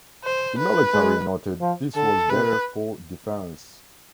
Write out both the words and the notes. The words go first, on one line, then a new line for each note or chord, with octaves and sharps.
The military noted this was better for defense.
C5
B4
G#3
F3
D3 A4
C3 B4